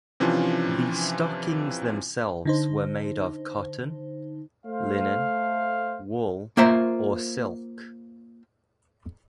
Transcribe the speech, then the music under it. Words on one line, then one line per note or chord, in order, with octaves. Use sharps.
The stockings themselves were made of cotton, linen, wool or silk.
C3 E3 F3 C#4 D4 F4
D3 D#4 C5
A3 C5 F5
A#3 F4 C5 E5 A#5